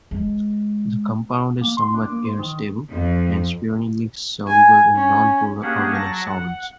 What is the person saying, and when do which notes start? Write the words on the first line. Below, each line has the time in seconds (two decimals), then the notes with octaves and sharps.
The compound is somewhat air-stable and sparingly soluble in nonpolar organic solvents.
0.11 G#3
1.61 A#3
1.77 C6
1.94 D4
2.09 A#3
2.25 C5
2.39 D#3
2.91 F2
4.47 G#5
4.96 C#4
5.62 A#3 C#4 D4 G4 G#4 F#5
5.95 F#3 F#5 A5 A#6
6.26 F#5